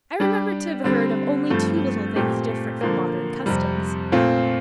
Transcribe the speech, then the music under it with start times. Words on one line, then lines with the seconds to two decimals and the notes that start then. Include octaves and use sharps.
I remember to have heard of only two little things different from modern customs.
0.20 G3 D4 G4
0.84 D3 G3 C4
1.50 G2 F3 A3 C4
2.16 A#2 A3 C4 G4
2.81 D3 F3 A#3
3.46 F2 C3 G3
4.12 A#2 A3 C4 F4